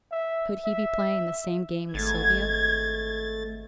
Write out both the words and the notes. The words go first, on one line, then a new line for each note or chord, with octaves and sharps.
Could he be playing the same game with Sylvia?
E5
E5
G#1 A3 G#6 A6